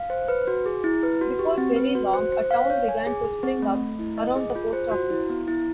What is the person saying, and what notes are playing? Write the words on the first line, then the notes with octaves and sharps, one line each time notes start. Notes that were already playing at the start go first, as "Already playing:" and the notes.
Before very long a town began to spring up around the post office.
Already playing: F5
C5
B4
F#4
G#4
E4
B4
F#4
G4
C4
B4
F#4
C5
C5
F5
C#5
G#5
G#4
G#4
C4
A3
A3
E4
D#5
G#4
F4
C5
F#4
E4
B3
E4